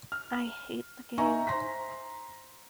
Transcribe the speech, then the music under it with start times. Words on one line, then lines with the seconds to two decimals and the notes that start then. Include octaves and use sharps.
I hate the game.
0.12 F6
1.18 D#4 E5 G#5 A#5 C#6
1.47 C5 A#5 C6 A#6 B6